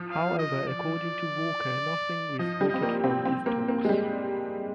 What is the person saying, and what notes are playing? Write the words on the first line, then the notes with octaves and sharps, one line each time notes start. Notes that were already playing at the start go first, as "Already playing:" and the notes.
However, according to Walker, nothing resulted from these talks.
Already playing: F3
F5
D#5
D5
F3 D#5
G3
D#5
C4
A#3
C4
C4
A#3
A#3
G#3
G3